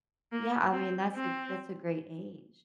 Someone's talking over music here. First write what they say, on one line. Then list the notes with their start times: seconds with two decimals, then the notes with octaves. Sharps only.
Yeah, I mean, that's a that's a great age.
0.32 A#3
0.73 C4
1.15 C4